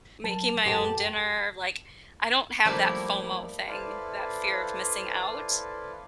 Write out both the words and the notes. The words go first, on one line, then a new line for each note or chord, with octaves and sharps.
making my own dinner, like, I don't have that FOMO thing, that fear of missing out
F#3 A#4 A5
F#2 G4 A4 A5
F3 G3 A3 A#3 E4
E4 A4 B4 C5 D5 F5